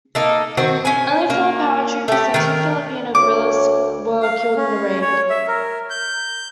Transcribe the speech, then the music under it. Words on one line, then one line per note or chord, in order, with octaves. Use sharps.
Only four paratroopers and two Filipino guerrillas were killed in the raid.
A#3 D#4 A4
D#3 C4 F#4
C#4 G#5
A#3
A3 G4
D#3 A#4
D2 C#5 D6
F5
C#4
C#5
E5
A#4
G6